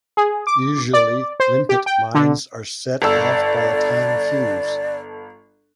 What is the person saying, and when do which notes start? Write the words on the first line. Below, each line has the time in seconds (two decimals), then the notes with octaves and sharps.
Usually limpet mines are set off by a time fuse.
0.17 G#4
0.47 D6
0.93 D5
1.40 C5
1.69 G4
1.86 G5
2.15 D3
3.02 G1 A4 D5 E6